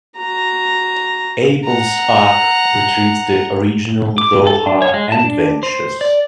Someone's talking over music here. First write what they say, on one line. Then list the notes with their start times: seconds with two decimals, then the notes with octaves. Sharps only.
Abel's Ark retrieves the Original Zohar and vanishes.
0.18 F#4 A#5
1.64 F#5 A#5
4.18 D6
4.47 A4
4.67 D4
4.82 C#5
4.94 G#3
5.12 A5
5.24 D4
5.63 C5
6.01 D5